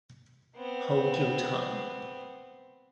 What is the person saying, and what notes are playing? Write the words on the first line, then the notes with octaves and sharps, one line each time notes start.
Hold your tongue.
B3 C4